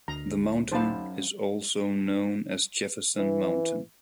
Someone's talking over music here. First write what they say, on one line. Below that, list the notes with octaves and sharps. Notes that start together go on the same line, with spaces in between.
The mountain is also known as Jefferson Mountain.
D2 A#5
F#2 D#4 C5 F5 A5 B5
E3